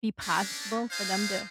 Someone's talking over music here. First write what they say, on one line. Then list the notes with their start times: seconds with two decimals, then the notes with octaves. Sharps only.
be possible for them to
0.20 A3 B3 C#4 D4
0.91 D#4 G4 C5 F5 G#5